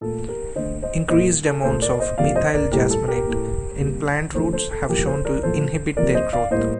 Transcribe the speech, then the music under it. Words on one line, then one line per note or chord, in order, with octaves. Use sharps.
Increased amounts of methyl jasmonate in plant roots have shown to inhibit their growth.
A#2 A3 A4
G4 A#4
D3 A3 C5 D#5
C5 D#5
A#2 G3 A#3 C5 D#5
A4
A#2 A3 A4 C5
A#4 D5
C5 D#5
C3 F3 A#3 D5 F5
C5 D#5
A#4 D5
A2 G3 A#3 G4 A#4
A4
G4 A#4
A2 A3
C3 G3 A#3
D3 F3 A3 A4 C5
A4 C5
A4
A2 F3 A#3 G4 A#4
A4 C5
A#4 D5
A2 F3 A#3 A4 C5
C3 F3 A#3 A#4 D5
C5 D#5
D5 F5
A2 G3 A#3 C5 D#5